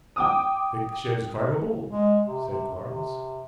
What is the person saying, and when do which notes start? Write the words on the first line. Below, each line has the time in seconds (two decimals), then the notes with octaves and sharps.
"I think the shed is climbable," said Quarles.
0.16 G5 D6 D#6
1.90 G#3
2.25 C3
2.45 C3
2.83 C3